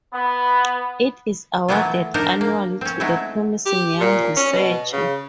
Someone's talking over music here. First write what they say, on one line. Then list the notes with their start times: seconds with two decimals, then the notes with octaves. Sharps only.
It is awarded annually to a promising young researcher.
0.12 B3
1.68 E3 F#3 A3 B3 E4 F4
2.14 D4 D#4 A#4 C5
2.41 A#3
2.81 C4 C#4
3.00 F#3 G#3 A3 D#4 E4
3.66 G4
4.01 A#2
4.36 C#4
4.53 B2
4.93 C#3